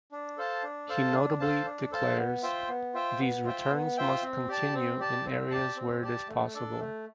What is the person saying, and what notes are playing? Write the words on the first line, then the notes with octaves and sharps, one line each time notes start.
He notably declares "These returns must continue in areas where it is possible".
D4
A4 C5 F5 A5
D4
A4 C5 F5 A5
D4
A4 C5 F5 A5
D4
A4 C5 F5 A5
B3
F4 C5 E5 G5
B3
F4 C5 E5 G5
B3
F4 C5 E5 G5
B3
F4 C5 E5 G5
C4
G4 D5 A5
C4
G4 D5 A5
C4
G4 D5 A5
C4
G4 D5 A5
A3
D4 A4 D5
A3